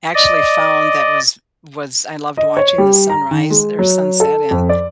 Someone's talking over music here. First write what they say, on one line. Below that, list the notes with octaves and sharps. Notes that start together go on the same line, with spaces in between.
actually found that was was I loved watching the sunrise or sunset in
D5 D#5
D#5
C#5
G3
A#5
D#3
G#3
F#3
A4
F2
D5